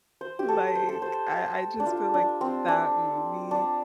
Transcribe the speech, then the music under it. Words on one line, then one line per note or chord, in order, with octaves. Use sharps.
Like, I I just feel like that movie
C5
G4
A4
C5
A4
C5
D4
F4
D4
C4
D4
D4